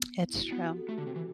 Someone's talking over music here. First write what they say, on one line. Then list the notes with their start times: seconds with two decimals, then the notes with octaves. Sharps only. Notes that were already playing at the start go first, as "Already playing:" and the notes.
It's true.
Already playing: B3
0.29 E4
0.40 F#4
0.52 B3 F#4
0.65 G4
0.77 A4
0.88 A3 G4
0.98 D3
1.07 C3
1.16 E3